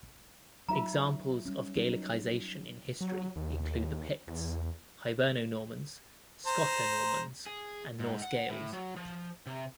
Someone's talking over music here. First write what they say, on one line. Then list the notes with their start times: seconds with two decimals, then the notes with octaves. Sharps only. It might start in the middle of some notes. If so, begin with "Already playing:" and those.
Examples of Gaelicisation in history include the Picts, Hiberno-Normans, Scoto-Normans and Norse-Gaels.
0.69 F#3 D#4 F4 E5 A#5
1.45 G3 C#4
1.76 F#3 D#4
3.01 F#3
3.36 D#2
4.28 E2
6.46 C5 A#5
7.46 G#4
7.99 G#2
8.22 F#5
8.49 A2
8.73 F#3
8.96 F3
9.47 C3